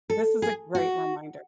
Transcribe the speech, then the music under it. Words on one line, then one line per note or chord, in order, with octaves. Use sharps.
This is a great reminder.
A4
G#4
F#4